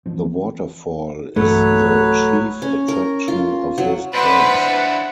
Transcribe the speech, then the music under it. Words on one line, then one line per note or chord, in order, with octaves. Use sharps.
The waterfall is the chief attraction of this place.
E3 F3 C4
B1 G2 E3 F#3 A3 B4 C#5
C#4
A#4
F4
F#3
D4 E4 B4 C5 F#5